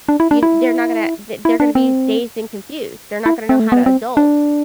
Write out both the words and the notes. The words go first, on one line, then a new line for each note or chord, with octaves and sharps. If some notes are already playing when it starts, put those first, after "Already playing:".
you kn they're not gonna the they're gonna be dazed and confused. They're not gonna know how to adult.
D4
E4
D4
E4
E4
D4
C4
E4
C4
A3
B3
C4
D4